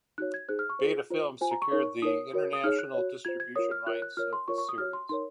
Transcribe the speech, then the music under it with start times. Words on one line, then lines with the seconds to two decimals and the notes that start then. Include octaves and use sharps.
Beta Film secured the international distribution rights of the series.
0.18 D#4 F#4 C#5 F#6
0.34 G#6
0.48 D#4 G#4 C5 F#6
0.59 F6
0.70 C#6
0.79 F4 G#4 C5
1.10 F4 C5
1.41 F4 C5 G#5
1.51 A#5
1.62 C#6
1.71 D#4 A#4 C#5
2.02 D#4 A#4 C#5 D#6
2.33 F#4 A#4 C#5
2.53 D#6
2.64 D#4 G#4 C#5 F6
2.79 F#6
2.94 F#4 C#5
3.25 F4 C5 G#6
3.40 G#6
3.56 F4 A#4 C#5 D#6
3.71 F6
3.87 F4 A#4 C#5 F#6
4.02 F#6
4.17 F4 A#4 C#5 F6
4.33 C6
4.48 F4 A#4 C#5 C#6
4.58 C#6
4.69 D#6
4.78 F#4 C#5 F6
4.93 C6
5.09 D#4 A#4 C#5 C6